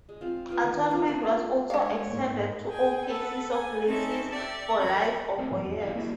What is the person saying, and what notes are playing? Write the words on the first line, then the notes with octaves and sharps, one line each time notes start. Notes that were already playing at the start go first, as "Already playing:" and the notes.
Attornment was also extended to all cases of lessees for life or for years.
G#3
C4 F4
B3 F4 G5
D#3
C4 C#4 E4 F4
A#3
G#3 D4 C#5 F5
G#2 A#3
G#4 G5 G#5
A4 B4 F#5
G#5
C4 C#4 D#4 E5 A5
G4 A4 D5 E5
F2 C#4 A#4 B5 C#6
A3 C4 A4 A#4 C5
G#2 F3 B3 C#4
E2
E4 G#4 A#4 D#5 F5
A#3 E4 F#4 G#4